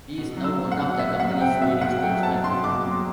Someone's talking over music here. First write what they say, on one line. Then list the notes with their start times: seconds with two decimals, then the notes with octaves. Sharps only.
He is now one of the company's leading spokesmen.
0.18 B2
0.37 F#3
0.44 E6
0.58 C4
0.72 F#5
0.78 B2
0.99 B2 E5
1.20 F#3 F#5
1.40 C4 G5
1.61 B2 E5
1.81 B2 F#5
2.02 F#3 G5
2.23 C4 A5
2.44 B2 C6
2.64 B2 D6
2.86 F#3